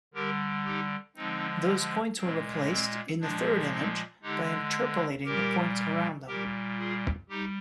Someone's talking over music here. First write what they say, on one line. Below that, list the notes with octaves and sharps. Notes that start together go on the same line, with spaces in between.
Those points were replaced, in the third image, by interpolating the points around them.
D3 G3 G4 A#4
D#4 G4
D3 F3 G#3 C4 D#4
A#2 G#3 C4
C4
A#2 F3 G#3 D4
C4 D#4
D3 G#3 D#4 G4
A#2 G3 G4 A#4
A#2 G3 G4 A#4
F4 G#4
G3 D#4 G4